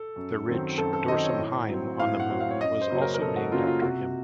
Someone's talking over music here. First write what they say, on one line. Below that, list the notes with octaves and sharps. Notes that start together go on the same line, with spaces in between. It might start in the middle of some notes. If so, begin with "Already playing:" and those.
The ridge Dorsum Heim on the Moon was also named after him.
Already playing: A4
F#2
D#3 F#3 C4
F#2 A4
A4
D#3 F#3 C4 D#5
C#5
A2
F#3 C4
A2 F5
F#5
F#3 C4
F5
C#5
F#2 D#5
C5
C#3 F#3 A#3 C#4
A#4
A#4
F#2 A4
F#4
C#3 F#3 A#3 C#4 F4
F4
C3 F#4